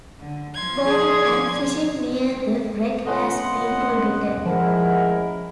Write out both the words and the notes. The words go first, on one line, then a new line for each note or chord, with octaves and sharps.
Boating and fishing near the wreck has been prohibited.
D3
F3 C6 G#6
G#4 D5
A3 C#4 F4 B4 D#5 F#5 C6
F3 G#3 E4 A#4 F#5